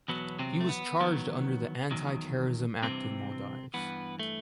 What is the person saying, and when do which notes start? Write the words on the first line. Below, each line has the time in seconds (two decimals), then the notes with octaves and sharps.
He was charged under the Anti-Terrorism Act of Maldives.
0.08 E2 B2 F#3 B3
0.39 C3 C4
0.61 A3
0.69 B3
1.00 E2 D#3 F#3 B3
1.91 E2 D#3 F#3
2.83 G2 C3 E3 C4
3.74 G2 E3 B3
4.19 A3